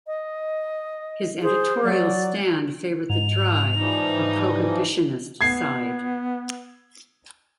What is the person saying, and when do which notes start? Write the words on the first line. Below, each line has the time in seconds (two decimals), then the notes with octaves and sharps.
His editorial stand favored the "dry," or prohibitionist side.
0.07 D#5
1.42 G#4 C5
1.84 F#3 D5
3.10 G#2 F7
3.78 E3 F3 G3 D#4
5.41 B3 G#6 C7